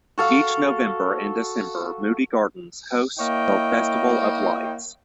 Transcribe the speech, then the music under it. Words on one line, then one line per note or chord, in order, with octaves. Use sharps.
Each November and December Moody Gardens hosts the Festival of Lights.
F#4 A4 F5
A#3 E4 C#5 D#5 G5